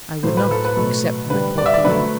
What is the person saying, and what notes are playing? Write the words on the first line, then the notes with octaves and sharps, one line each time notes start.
"I would not--except for my poor people."
A2 F#3 A3 C5
B4
A4
B4
B2 F#3 A3
D3 G3 B4
D5
E5
D5
D3 F#3 A3 B4